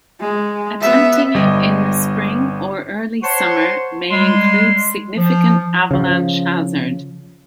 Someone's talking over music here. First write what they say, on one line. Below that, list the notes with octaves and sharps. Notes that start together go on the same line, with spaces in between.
Attempting it in the spring or early summer may include significant avalanche hazard.
G#3
B3 E5
G1 G3 D#5
C5 C#5 F#5 A5 C6 C#6
G3 G#3 C6
F3
C#3 F3